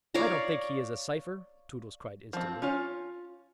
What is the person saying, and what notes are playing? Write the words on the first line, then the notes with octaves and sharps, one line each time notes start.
"I don't think he is a cypher," Tootles cried instantly.
C#5 D5 F5 A#5
F3 C4
C#4 F4 C#5